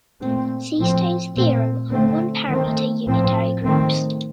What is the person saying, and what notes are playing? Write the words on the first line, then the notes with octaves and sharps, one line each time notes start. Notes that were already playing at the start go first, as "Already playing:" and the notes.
See Stone's theorem on one-parameter unitary groups.
A#2 A3 C4
A2 F3 C4
A#2 A3 C4
D3 A3 C4
D#3 A3 C4
A2 F3 C4
D#3 A3 C4